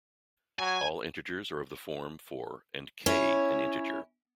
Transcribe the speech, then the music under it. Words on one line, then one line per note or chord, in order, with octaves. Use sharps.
All integers are of the form for and "k" an integer.
F#3 G#5
C#4 E4 C#5